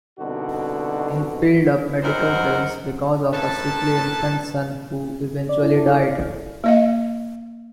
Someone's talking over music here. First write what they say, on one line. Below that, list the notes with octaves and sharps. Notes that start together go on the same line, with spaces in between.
He piled up medical bills because of a sickly infant son who eventually died.
C2 B2 D3 D#4 F#4
F#2 G3 D#4 A#4 C5 F#5
A2 D#3 A4 B4 A5
A#3 D#5 F5